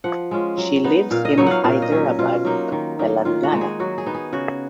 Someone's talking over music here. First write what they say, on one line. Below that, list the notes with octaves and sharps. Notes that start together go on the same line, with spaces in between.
She lives in Hyderabad, Telangana.
F3 F#5
G#3 C#4 F4
F#3
B3 D#4
A#2 F5
D#5
F#3 B3 D#4 C#5
F5 F#5
A#2 F5
D#5
F#3 C#4
B2 F4
F#3 A#3 D#4
D#3
F#3 A#3 D#4
D#3 F4
F#4
G#3 D#4
G#4
F#3 F#4
G#4
B3 D#4
G#4
C#3 F#4